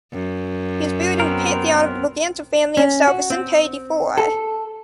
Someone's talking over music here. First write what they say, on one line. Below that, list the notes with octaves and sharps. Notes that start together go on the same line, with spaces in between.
He was buried in the Pantheon of the Bragança family in São Vicente de Fora.
F#2
B3 C4 A#4
C#4
F#4
C4
A4